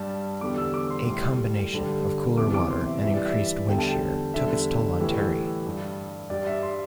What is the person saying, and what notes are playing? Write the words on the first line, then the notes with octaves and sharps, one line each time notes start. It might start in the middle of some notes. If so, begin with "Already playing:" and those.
A combination of cooler water and increased wind shear took its toll on Terry.
Already playing: G2 G3 A5
E2 D3 G3 D6
E6
D6
C6
A2 G3 C6
G2 D3 G3
E2 C3 E3 D6
D6
C6
E5
G2 E3 G3 E5
D5
E5
E2 D3 G3 G5
A5
G5
E2 D3 G3 E5
A2 E3 G3
G2 G3
G2 G3 D5
E5
C6